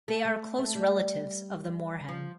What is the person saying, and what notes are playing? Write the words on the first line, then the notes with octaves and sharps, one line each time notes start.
They are close relatives of the moorhen.
A3
A3
A3
G3
F3